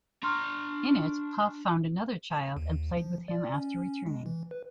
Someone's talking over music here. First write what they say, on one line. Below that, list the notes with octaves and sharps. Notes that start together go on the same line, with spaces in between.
In it, Puff found another child and played with him after returning.
D4 A#5 C6 C#6 F6
D#2
F3
D5
C#4
G#3
E3
B4